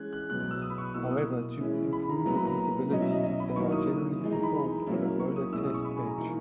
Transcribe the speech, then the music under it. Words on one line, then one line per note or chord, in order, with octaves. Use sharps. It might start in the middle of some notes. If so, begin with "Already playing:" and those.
However, to improve repeatability, they are generally performed on a roller test bench.
Already playing: E3 G#3 C#4 F#6 G#6
F#6
B2 F#3 B3 F#6
F#6
E6
D#6
B5
C#6
B2 A#3 E4 E6
D#6
E3 G#3 C#4 E4
B5
A#5
A#2 F#3 B3 E4 A#5
B5
A#5
B2 F#3 C#4 E4 D#5
E5
D#5
D#5
B5
D#3 F#3 A#3 E4 C#6
D#6
E3 G#3 D#4
A#5
B5
F#3 A#3 C#4 E4
C#6
D#6
B2 G#3 C#4 E4 E6
D#6
C#6
B5
G#5
A#5
E3 A#3 D#4 C#6